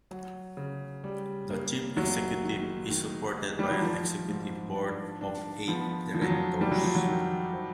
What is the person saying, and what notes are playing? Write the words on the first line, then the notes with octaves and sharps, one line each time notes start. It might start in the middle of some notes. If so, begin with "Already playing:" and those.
The chief executive is supported by an Executive Board of eight directors.
F#3
C#3
G3
A#3
F#1 F#3
D#3
D#3
G#3
G3
F#3
D#3 F3
G#2
D4
D4
F3 B3
F2 F3
F#3
F3
D#3 G3
F#3
F3
F#3
D#3
F3